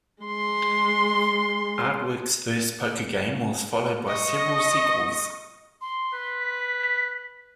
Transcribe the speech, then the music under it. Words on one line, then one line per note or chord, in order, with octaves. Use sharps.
Artworx's first poker game was followed by several sequels.
G#3 C6
D#5 C#6
C6
B4
B6